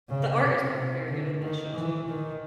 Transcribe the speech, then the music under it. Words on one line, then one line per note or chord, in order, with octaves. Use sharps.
the art is probably very good in that show too,
C#3
C3
C3
D3
D#3
E3
D#3